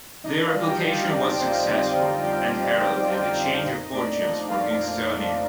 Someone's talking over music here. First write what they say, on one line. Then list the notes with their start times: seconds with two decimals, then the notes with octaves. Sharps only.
Their application was successful, and heralded a change of fortunes for Kingstonian.
0.24 D4 D#4 D#5
0.45 F4 F5
0.53 G3
0.67 G4 G5
0.81 D3
0.88 F4 F5
1.09 F2 D4 D5
1.38 C4 D4 C5
1.65 G3
1.94 D3 D#4 D#5
2.22 F2 G4 G5
2.50 D4
2.79 G3 G4 G5
3.07 D3 G5
3.21 F4 F5
3.36 F2
3.63 A#2 D#4 D#5
3.92 A3 D4 D5
4.20 F3 D#4 D#5
4.48 A#2 F4 F5
4.76 A#2
5.05 A3